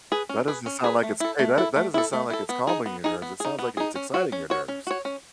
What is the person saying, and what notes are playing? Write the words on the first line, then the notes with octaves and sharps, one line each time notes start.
That doesn't sound like it's great that d that doesn't sound like it's calming your nerves. It sounds like it's exciting your nerves.
G#4 B4
C#4
G#4 B4
C#4
G#4 B4
A3
E4 A4
A3
E4 A4
A3
E4 A4
A3
E4 A4
B3
D#4 G#4
B3
D#4 G#4
B3
D#4 G#4
B3
D#4 G#4
C#4
F#4 C#5
C#4
F#4 C#5
C#4
F#4 C#5
C#4